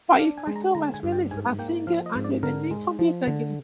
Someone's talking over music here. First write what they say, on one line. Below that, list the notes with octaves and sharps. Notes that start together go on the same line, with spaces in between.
"Firecracker" was released as a single under the name "Computer Game".
D4 F5
G#5
G#3
A#5
D3 A#5
G#5
G2
G5
G#2 G#5
A#3 G5
F3 F5
D#5
G#2
D5
D3 A#4
G#3
F3
D3